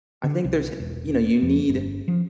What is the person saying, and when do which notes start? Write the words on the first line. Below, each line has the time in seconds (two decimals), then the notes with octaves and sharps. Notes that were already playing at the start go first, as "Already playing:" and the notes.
I think there's h you know, you need
0.24 D3
0.44 C2
0.80 E1
1.42 F2
1.69 G1
2.08 F3